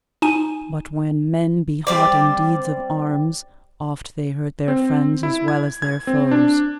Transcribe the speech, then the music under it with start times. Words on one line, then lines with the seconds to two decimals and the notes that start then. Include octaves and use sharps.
But when men be hot in deeds of arms oft they hurt their friends as well as their foes.
0.22 D#4 G#5 D#7
1.87 G3 C4 D5
4.68 C4
5.23 E4
5.48 G#6
5.82 G#6
6.07 C4
6.31 D4